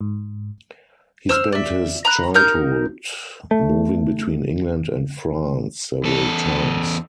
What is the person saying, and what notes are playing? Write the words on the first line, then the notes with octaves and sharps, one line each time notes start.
He spent his childhood moving between England and France several times.
G#2
C5 E6 F6
D5 E5
A#5 B5 F#6
D#4 A#4 F6 G6
A3
E2 A4